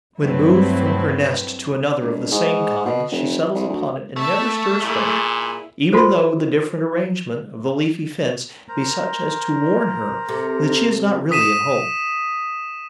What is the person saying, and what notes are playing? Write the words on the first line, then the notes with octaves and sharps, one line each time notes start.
When moved from her nest to another of the same kind, she settles upon it and never stirs from it, even though the different arrangement of the leafy fence be such as to warn her that she is not really at home.
G2 F#3 A3 C4 E4 B4
E1
G#2
B2
F1
C2
D2
A3 E5 A5
A#2 E4 G#4
F4 F#4 A4 C5
A#4 C5 A#5
C3 A4
D#6 B6 D#7 E7